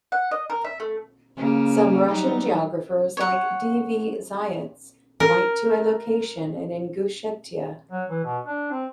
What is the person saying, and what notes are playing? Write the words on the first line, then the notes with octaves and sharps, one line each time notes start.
Some Russian geographers, like D. V. Zayats, point to a location in Ingushetia.
F#5
D#5
A#4
E5
A3
C#3 A#3
F#3 G3 D#4
C#5 F#5
A#4
F#3
E3
B2
D4
C4